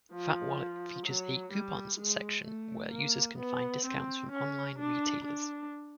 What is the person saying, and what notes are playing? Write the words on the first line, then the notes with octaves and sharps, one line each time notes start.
FatWallet features a "Coupons" section where users can find discounts from online retailers.
F3
F#3
G3
G#3
A3
A#3
B3
C4
C#4
D4
D4